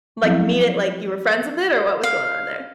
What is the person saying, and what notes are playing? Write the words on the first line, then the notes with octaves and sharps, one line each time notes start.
like, meet it like you were friends with it, or what was going on there?
F3 F#3 B3 C4 E4 F5
F5